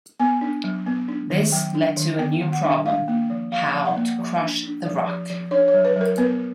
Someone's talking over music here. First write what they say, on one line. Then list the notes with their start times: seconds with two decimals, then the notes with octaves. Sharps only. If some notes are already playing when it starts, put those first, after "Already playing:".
This led to a new problem: how to crush the rock.
0.20 B3 G#5
0.41 D4
0.64 F#3
0.86 B3
1.08 D4
1.30 D#3
1.52 F#3 G5
1.75 D4
1.96 D#3
2.19 B3 G5
2.41 D#3
2.52 F#5
2.63 D4
2.86 D4 F5
3.08 A#3
3.30 F3
3.52 F3 F5
3.74 F3
3.85 F#5
3.96 A#3
4.19 F3
4.41 D4
4.63 D4
4.85 F3
5.07 F3
5.30 F3
5.51 D4 C#5
5.68 C#5
5.74 F#3
5.85 B4
5.96 F#3 A#4
6.18 B3 B4